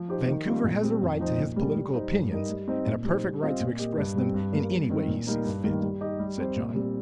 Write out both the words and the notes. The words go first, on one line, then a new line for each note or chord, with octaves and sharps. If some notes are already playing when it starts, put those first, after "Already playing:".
"Vancouver has a right to his political opinions, and a perfect right to express them in any way he sees fit," said John.
Already playing: F3
D#4 G4 C5
D#3
G3 C4 F4
A#2
G3 C4
F2
F3 D#4 C5 D#5
A#2
G3 A#3
G3
D#4 C5
G2
G3 D#4 A#4 D#5
G3
C4 D#4 C5 D#5
A#2
G3 D#4 C5
G3
C4 F4 C5 D#5
A#2
A#3 G4 D#5
G2
G3 C4
G2
G3 A#3
G2
D#3 C4
A#2
G3 A#3 D#4
G2
D#3 G3 A#3
G3
D#4 G4 D#5
G3
C4 G4 C5
A#2
G3 C4